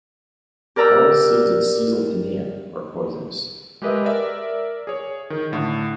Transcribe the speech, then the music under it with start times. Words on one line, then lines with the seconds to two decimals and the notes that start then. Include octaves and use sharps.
All seeds of "Caesalpinia" are poisonous.
0.76 G4 A#4 D5 A#5 E6
3.82 G#3 G4 A#4 B4 D#5 E5
4.05 A#4 D5 E5
4.87 G#4 C#5
5.30 D#3
5.52 A2 D3